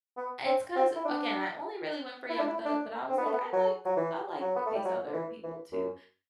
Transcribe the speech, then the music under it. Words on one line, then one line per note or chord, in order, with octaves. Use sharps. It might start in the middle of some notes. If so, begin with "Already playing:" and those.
it's 'cause again, I only really went for Young Thug, but I was like, "I like I like these other people too."
B3
C4
C4
E4
D4
E4
D4
E4
D4
C4
B3
A3
B3
F#3
F#3
E3
F#3
B3
A3
G3
F#3
D3
E3
E3
F#2